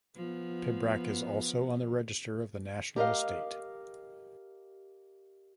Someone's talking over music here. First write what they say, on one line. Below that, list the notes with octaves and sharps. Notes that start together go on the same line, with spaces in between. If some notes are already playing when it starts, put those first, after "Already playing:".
Pibrac is also on the Register of the National Estate.
F3 B3
G4 A#4 D#5 F5